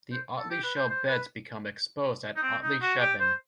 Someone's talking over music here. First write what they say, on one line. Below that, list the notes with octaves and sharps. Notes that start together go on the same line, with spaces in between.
The Otley Shell Beds become exposed at Otley Chevin.
C5
A4
G4
B4
C5
C5
B4
D#4
C4
D#4
F#4
G4
C5